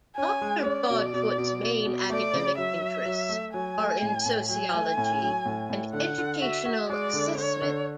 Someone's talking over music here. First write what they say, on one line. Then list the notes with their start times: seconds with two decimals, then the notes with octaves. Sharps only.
Doctor Broadfoot's main academic interests are in sociology and educational assessment.
0.17 C#4 G#5
0.41 G#3
0.66 C#4 D5
0.90 B2
1.13 B2
1.38 B2
1.62 B2
1.86 B2
2.10 A3 D5
2.33 C#3
2.58 F#3 E5
2.81 F#3
3.06 F#3
3.29 A3
3.53 F#3 G#5
3.78 A3
4.02 A2
4.26 A2
4.49 F#3 G#5
4.74 A3
4.98 A2
5.22 F#3
5.46 A2
5.70 A2
5.93 D3 F#5
6.18 D3
6.42 F#4 E5
6.65 F#4
6.89 G#3 D5
7.13 D3
7.37 D3 C#5
7.61 D3